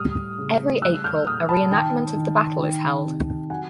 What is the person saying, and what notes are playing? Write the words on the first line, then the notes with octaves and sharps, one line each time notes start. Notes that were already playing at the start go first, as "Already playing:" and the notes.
Every April, a reenactment of the battle is held.
Already playing: A2 G3 D#6 F6
C#3
G3 E6 F#6
F6 G6
A#2 D#6 F6
A5 B5
D#3 G5 A5
D#3
D#3
C3
F#3 F#5 G#5